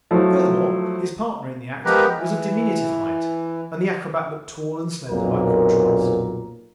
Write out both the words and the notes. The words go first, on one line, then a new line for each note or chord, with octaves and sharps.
Furthermore his partner in the act was of diminutive height and the acrobat looked tall and slender by contrast.
F3 F#3 A3 E4
F3 G#3 B3 G4 A#4 B4
E3
B1 F2 A#2 A#4